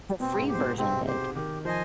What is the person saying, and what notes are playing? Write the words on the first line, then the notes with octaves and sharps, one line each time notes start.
The free version did,
B2 C4
G#2
G4 C5
B2
C3 C4
G4 C5
D#3 G4
F3 C5 D#5 G#5